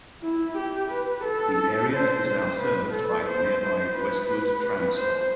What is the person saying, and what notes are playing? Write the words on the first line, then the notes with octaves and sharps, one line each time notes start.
The area is now served by the nearby Westwood tram stop.
E4
G4
B4
A4
C5
B4
A4
C5
C5
B4
B4
C5